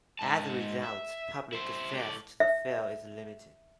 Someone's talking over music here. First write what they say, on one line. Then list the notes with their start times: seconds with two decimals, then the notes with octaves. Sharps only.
As a result, public access to the fell is limited.
0.19 G#2 A5
0.83 E5
1.53 E4 C5
1.93 A2 D5
2.40 E5